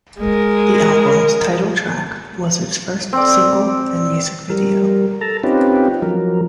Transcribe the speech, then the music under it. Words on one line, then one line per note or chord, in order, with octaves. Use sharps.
The album's title track was its first single and music video.
G#3 A#4
C4 D5
G3 A#4
A4 A5 A#5
C4 C#4 D#4 F4 G4 B4
F3 F#3 A#4